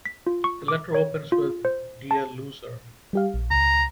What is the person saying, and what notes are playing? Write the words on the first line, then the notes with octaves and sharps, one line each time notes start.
The letter opens with "Dear Loser".
B6
F4
C#6
D6
C#5
F4
C5
A5
G3 G4 F5
A#1
C#2 A#5